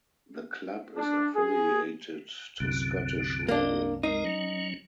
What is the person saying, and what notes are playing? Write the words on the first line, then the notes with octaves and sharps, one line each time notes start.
The club is affiliated to Scottish Rowing.
D4
G#4
C2 F#2 D3
A#3 D4 D#5
G#3 D#4 A#4
F#3 C#4